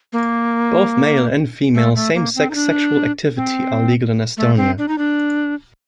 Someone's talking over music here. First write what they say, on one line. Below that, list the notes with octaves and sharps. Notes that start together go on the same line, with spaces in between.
Both male and female same-sex sexual activity are legal in Estonia.
A#3
A3
A3
A#3
C4
D#4
D4
C4
A3
C4
D4
D#4
D4